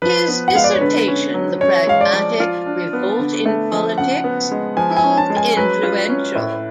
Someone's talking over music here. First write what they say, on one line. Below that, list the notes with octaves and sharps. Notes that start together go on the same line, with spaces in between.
His dissertation "The Pragmatic Revolt in Politics" proved influential.
F3 B4
B3
F#5
G#3 F5
D5
C#5
D3 B4
C#4
F#3
C#4 C#5
G#3 F5
D5
F3
F4
D4
B3
D3
A3
F3
C#3 F#5
B3
G#3
F3 G#5
G#5
C#4
A5
G#3
G#5
F#3 B4
F4
C#4
A2